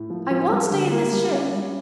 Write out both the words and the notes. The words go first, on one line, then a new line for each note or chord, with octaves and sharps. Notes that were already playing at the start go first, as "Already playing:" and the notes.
I won't stay in this ship!
Already playing: A2
F3
F3
G3
D3
A#3
G3
C#4
G3